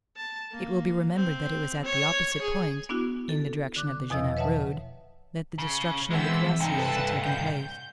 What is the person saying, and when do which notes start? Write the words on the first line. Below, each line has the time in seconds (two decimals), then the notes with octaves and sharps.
It will be remembered that it was at the opposite point, in the direction of the Genappe road, that the destruction of the cuirassiers had taken place.
0.16 A5
0.51 A#3
1.15 C4
1.85 C#5
2.41 G#4
2.89 B3 D4 E4 F#4
3.29 A4
3.76 D3 D6 F#6
4.10 E2 B2 F3 D#5 E6
4.37 B4 C#5 E5 F#5 A5
5.58 C#3
6.10 E3 G#3 B3 C4 E6
6.60 C2 G2 C4 D#4 C#7
6.76 A4 B4 A5
7.24 G6